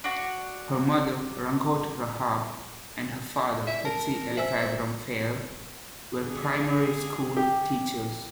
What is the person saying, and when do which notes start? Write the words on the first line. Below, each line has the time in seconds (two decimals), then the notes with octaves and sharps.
Her mother, Rangoato Rahab, and her father, Pitsi Eliphaz Ramphele were primary school teachers.
0.04 D4 F#4
3.36 G#5
3.67 D5 E5
3.85 A#4 A5
4.37 C5 E5 G#5 E6
6.21 D3 G#4
7.37 G4